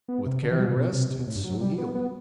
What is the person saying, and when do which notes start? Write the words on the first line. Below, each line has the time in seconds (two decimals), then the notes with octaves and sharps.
With care and rest, it soon healed.
0.08 B3
0.26 C3
0.42 D3
0.51 E3
0.60 G3
0.68 C3
0.77 B2
0.93 C3
1.10 C3
1.19 B2
1.27 A2
1.36 G2
1.44 F#3
1.61 G3
1.78 B3
1.95 B3